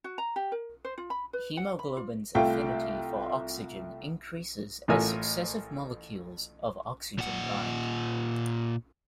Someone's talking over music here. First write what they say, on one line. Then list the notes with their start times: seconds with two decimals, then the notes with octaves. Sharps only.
Hemoglobin's affinity for oxygen increases as successive molecules of oxygen bind.
0.04 F#4
0.18 A#5
0.36 G4
0.52 A#4
0.85 C5
0.98 F4
1.10 B5
1.33 B4
1.57 F#5
1.79 B5
1.97 F4
2.35 C2 A3 F4 G5
4.88 A1 A2 F4 A#4 G#5 E6
7.18 A#2 F#5